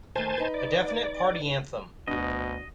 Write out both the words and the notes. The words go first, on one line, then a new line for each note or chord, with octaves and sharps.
A definite party anthem.
D#3 A3 C5 G#5 A5
D#4 B4
D5
D2 B2 D4 F#4 D#5